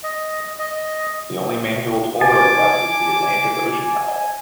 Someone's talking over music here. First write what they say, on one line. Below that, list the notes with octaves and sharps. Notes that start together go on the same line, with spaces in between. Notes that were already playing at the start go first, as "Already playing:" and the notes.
The only manual toll road left is the Atlantic Ocean Tunnel.
D#5
D#5
G#5 A5 D6